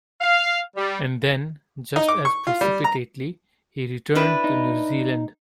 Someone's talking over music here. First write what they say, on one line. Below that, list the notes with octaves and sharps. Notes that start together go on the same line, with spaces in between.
And then, just as precipitately, he returned to New Zealand.
F5
G3
D#4
D6
C#6
F4
G3
A#5
D4 E4 B4
D#4